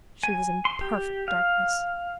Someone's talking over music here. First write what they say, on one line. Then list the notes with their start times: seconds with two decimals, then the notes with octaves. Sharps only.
She was in perfect darkness.
0.23 G#5
0.65 C6
0.81 G4
1.28 F5